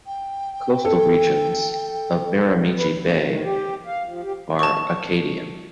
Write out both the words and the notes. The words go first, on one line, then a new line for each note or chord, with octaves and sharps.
Coastal regions of Miramichi Bay are Acadian.
G5
A4
B4
D2
D#3
G4
F5
F3
G4
A5 C#6